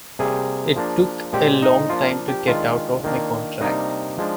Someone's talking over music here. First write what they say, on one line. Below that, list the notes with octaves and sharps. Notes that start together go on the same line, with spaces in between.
It took a long time to get out of my contract.
C3 G3 A#3 G#4
F3 A#3 D4
A#2 G#3 C4 G4
D#4
F3 A#3 D4 F4
G4
D#3 G#3 D4 F4
D#3 A#3 D4
C3 G3 A#3 D4 D#4
F3 G#3 D4